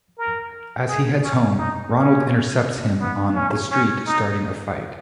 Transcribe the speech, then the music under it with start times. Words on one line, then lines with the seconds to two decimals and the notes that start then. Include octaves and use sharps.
As he heads home, Ronald intercepts him on the street, starting a fight.
0.18 A#4
0.88 G#4
1.24 C#4
1.59 D#4
1.95 C#4
3.01 B3
3.36 C#4
3.71 C#4
4.07 D#4